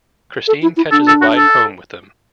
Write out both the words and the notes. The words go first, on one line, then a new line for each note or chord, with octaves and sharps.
Christine catches a ride home with them.
A4
E4
E4
D4 A4
A4
F#4
A4